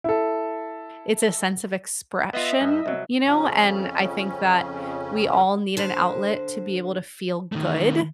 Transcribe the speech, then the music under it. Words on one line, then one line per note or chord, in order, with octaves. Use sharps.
it's a sense of expression, you know? And I think that we all need an outlet to be able to feel good,
E4 A4
B3 F4 D#5 E5
G2
C2 F#3
F2 C#3 C#4
D3 C5
D#3 A3